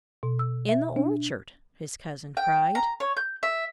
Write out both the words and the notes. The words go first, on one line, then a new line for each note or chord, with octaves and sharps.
"In the orchard!" his cousin cried.
B2
E6
E5
D4
G5
A#5
C#5
G6
E5